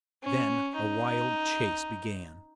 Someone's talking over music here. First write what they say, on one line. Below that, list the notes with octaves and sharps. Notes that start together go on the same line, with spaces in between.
Then a wild chase began.
C#4
D#4